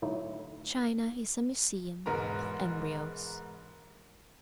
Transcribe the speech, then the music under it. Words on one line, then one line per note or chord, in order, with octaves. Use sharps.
China is a museum of embryos.
A2 D3 F#3 A3 D#4
E1 G#2 A#4 B4 A#5